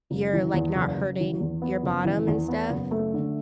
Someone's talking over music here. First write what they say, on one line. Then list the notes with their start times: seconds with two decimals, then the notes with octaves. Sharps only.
you're, like, not hurting your bottom and stuff.
0.11 F#1
0.33 E3
0.54 E2
0.76 F#1
0.98 F#1
1.20 E3
1.40 E2
1.62 B3
1.83 F#1
2.05 E3
2.27 E2
2.48 B3
2.70 F#1
2.91 A3
3.14 D3